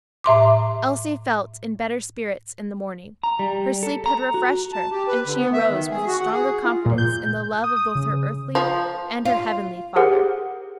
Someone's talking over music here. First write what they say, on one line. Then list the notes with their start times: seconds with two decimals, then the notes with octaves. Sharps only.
Elsie felt in better spirits in the morning; her sleep had refreshed her, and she arose with a stronger confidence in the love of both her earthly and her heavenly Father.
0.24 A2 E5 C6 D6
3.23 A#5
3.39 G3
3.83 A4
4.06 A#5
4.34 F#4
4.73 A5
4.92 G4
5.08 B4
5.26 D3
5.38 B3
5.53 E5
5.70 D#3
5.90 G#4
6.07 F#4
6.20 F#5
6.33 G#4
6.65 F4
6.86 A#2
6.98 G6
7.64 D#6
7.76 D#6
7.95 C#3
8.55 F3
9.25 F4
9.96 G4 G#4 A#4 C5 F#5